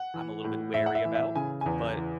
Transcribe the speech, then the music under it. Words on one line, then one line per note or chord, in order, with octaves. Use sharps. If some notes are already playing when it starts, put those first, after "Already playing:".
I'm a little bit wary about, but
Already playing: F#5
E3
A2
A2 E5
F#5
E5
E3
E5
C#3 G#5
E2 G#5
E3